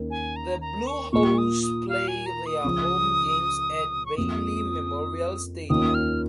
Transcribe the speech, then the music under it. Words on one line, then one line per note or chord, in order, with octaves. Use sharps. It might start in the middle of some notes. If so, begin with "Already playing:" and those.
The Blue Hose play their home games at Bailey Memorial Stadium.
Already playing: D#2 D#3 C#4
G#5
A#5
A#5
C#6
A#2 A#3 F4 C#6
D#6
D#6
F5
G#5
A#5
D#6
C#2 C#3 F3 C#4
C#6
F2 F3 A#3 F4 D#6
D#2 D#3 C#4 F4 D#6
F6